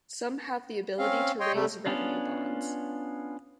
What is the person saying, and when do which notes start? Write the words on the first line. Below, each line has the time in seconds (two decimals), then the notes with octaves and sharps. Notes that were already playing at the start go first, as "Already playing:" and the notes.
Some have the ability to raise revenue bonds.
0.99 C4 C#4 F5
1.40 C#5 D#5 G5 C6
1.54 C3 G3 A3
1.86 B3 C#4 D4 F4